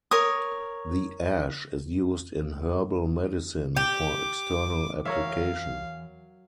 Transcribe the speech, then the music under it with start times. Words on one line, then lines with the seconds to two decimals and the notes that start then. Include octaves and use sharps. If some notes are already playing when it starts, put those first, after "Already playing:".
The ash is used in herbal medicine for external application.
0.11 A#4 C#5 D#6
3.77 G4 D6
5.05 E2 F#3 A#4 C#5 E5 F5